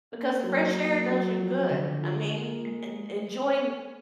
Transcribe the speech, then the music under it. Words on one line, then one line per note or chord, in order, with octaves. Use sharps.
Because the fresh air does you good, I mean, en enjoyme
A#3
F#3
A#3
F#3
F3
D3
F4
A#3
G#3